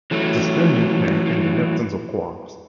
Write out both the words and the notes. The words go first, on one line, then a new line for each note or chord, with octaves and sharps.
This fermion pair can be leptons or quarks.
E3 F#3 A3